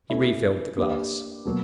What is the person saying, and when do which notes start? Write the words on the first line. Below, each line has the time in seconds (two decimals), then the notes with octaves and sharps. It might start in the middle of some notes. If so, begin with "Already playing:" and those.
He refilled the glass.
0.10 A3 C#4 E4
0.78 A#3 D4 G4 B4
1.45 B2 F#3 A#3